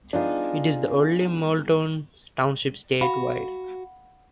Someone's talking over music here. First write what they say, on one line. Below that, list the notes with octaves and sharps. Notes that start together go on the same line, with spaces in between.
It is the only Moulton Township statewide.
B3 D4 D#4 F4 G#4
F#4 F5 B5